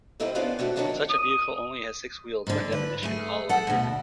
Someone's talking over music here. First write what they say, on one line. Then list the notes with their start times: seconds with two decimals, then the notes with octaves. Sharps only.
When such a vehicle only has six wheels by definition all are driven.
0.20 G#2 D#3 E4 G4 B4 C5
0.35 B3 C#4 D4 F4 B4 C5
0.59 A3 D4 F#4 G4
0.76 D#3 F#3 D4 A#4 C5 C#5
1.09 D#6
2.47 G#2 D3
2.72 B4
3.03 A3 G#4
3.49 A4 F#5
3.67 D2 B2